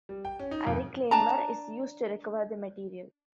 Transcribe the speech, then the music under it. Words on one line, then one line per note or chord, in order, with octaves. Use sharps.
A reclaimer is used to recover the material.
G3
G5
C#4
D#4
F2
D4 A5 A#5